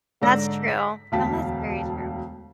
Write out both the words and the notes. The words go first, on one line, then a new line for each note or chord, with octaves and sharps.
That's true. No, that's very true.
G#2 D3 D5 E6 A#6
B6
E1 D2 F5 G5 A5 B6